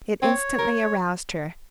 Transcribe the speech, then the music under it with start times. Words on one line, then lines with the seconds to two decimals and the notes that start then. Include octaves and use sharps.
It instantly aroused her.
0.22 C4 C#5
0.58 A#4